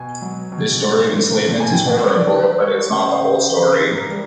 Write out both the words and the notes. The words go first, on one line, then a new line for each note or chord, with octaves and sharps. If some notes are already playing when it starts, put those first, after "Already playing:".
This story of enslavement is horrible, but it is not the whole story.
Already playing: B2 G#5
F#3
B2
G3
E3
A2
G#5
E3 G5
G3
D5
E3
G3 C#5
C#3
C5
C#3
C#3
E3
A#4
G3